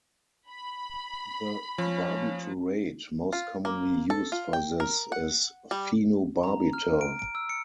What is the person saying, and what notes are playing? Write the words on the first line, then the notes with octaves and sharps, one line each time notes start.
The barbiturate most commonly used for this is phenobarbital.
B5
F3 C#4
F4
A#3
A4
F4
G5
A#4
F#5
G3
A#5
F6
D7
D7
E6
C#7